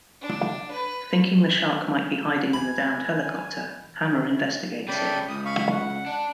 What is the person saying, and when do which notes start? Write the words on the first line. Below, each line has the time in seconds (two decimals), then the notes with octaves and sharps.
Thinking the shark might be hiding in the downed helicopter, Hammer investigates it.
0.21 D4
0.71 B4
2.53 G#5 B5
4.88 C#3 A3 D5 G5 B5
5.29 C#2 D#6
5.45 F5 B5 C#6
5.72 F#5
6.06 D4